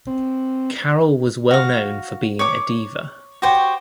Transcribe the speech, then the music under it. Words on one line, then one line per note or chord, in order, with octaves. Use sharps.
Carol was well-known for being a diva.
C4
F#4 F5
C#5 D6
F#4 G4 C5 C#5